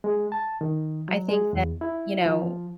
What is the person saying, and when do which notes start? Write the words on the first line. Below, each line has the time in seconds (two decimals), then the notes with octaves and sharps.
I think that, you know,
0.04 G#3
0.32 A5
0.61 D#3
1.09 F#3
1.29 G#3
1.53 E2
1.81 E4
2.26 F3